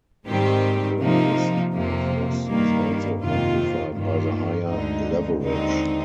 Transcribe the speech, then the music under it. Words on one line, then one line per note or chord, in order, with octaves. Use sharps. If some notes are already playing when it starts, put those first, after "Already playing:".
The risk of loss is also amplified by the higher leverage.
G#2 D#3 G3 C4 G4
C3 F3 A#3 D#4
F2 C3 F3 A#3
G2 D#3 G3 A#3
F2 C3 D#3 A#3 F4
G2 D#3 A#3 F4
D2 D3 G#3 D#4
D#2 D3 G#3 C4 D#4